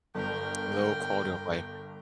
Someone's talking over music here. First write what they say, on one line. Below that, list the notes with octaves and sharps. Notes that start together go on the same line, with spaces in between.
Low quality of life.
G1 A#4 G5